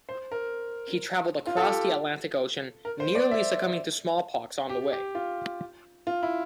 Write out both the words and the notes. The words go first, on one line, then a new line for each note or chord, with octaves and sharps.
He traveled across the Atlantic Ocean, nearly succumbing to smallpox on the way.
C5
A#4
F4
A4
G4
A#4
C5
D5
E5
G4
G4
F4
F4
E4